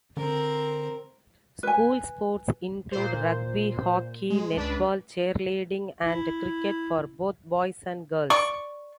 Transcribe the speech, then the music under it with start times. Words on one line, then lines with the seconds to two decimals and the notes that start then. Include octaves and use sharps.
School sports include rugby, hockey, netball, cheerleading and cricket for both boys and girls.
0.17 D3 C4 A#4
1.63 B4 G#5
2.91 A#2 C5
4.30 G#3
4.57 C#2 D4 B4
6.05 E4
8.30 D5 C#6